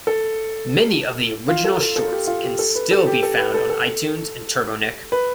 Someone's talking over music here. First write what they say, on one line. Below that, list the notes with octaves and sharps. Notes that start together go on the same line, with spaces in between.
Many of the original shorts can still be found on iTunes and TurboNick.
A4
F4
A4
A4
A4
G4
F4
G4
A4
B4
A4
G4
A4
B4
A4
A4
B4